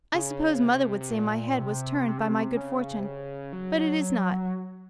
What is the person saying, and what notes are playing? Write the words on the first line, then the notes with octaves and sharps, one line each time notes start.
I suppose mother would say my head was turned by my good fortune, but it is not.
C#3
C3
C3
A#2
C3
C3
C#3
C3
C#3
C3
C#3
F#3